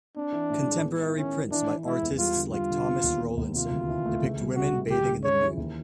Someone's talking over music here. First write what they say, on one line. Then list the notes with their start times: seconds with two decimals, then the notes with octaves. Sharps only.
Contemporary prints by artists like Thomas Rowlandson depict women bathing in the nude.
0.16 C4 D4
0.32 E3
0.50 A2
0.66 G#3
0.84 B3
1.00 E4
1.17 D#3 C#4
1.34 E4
1.51 E3 D4
1.68 E3
1.86 G#3 E4
2.02 E2
2.18 G3 F4
2.36 D3
2.53 G3 F4
2.70 D3
2.86 B3
3.04 D#2
3.21 B3
3.37 D#2
3.54 C3 F4
3.71 D2
3.88 E3
4.05 A3
4.22 C#2
4.39 G3
4.56 C3 F#4
4.73 G3
4.90 D2 G4
5.08 C#3
5.23 C#3 C#5
5.41 E3
5.57 D#2